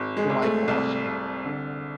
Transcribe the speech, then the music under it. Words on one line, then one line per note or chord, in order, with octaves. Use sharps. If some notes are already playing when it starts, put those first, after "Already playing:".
To my cost.'
Already playing: G#1
G#3
G#1
A3
C2
C2
D3